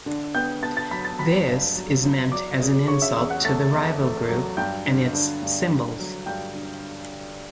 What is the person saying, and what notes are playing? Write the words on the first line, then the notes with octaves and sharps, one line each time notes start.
This is meant as an insult to the rival group and its symbols.
D3
B3 G5 G6
B3 A5 A6
A5 A6
F#3 B5 B6
A5 A6
F#3 B5 B6
G2
F#3
F#3
F#3 D5 D6
C#3
C#3 C#5 C#6
E5 E6
E2 E5 E6
F#5 F#6
A3 A5 A6
E2
A3
F#3
G2 G5 G6
D3
D3
G2
G2
F#3
G2 G5 G6
D3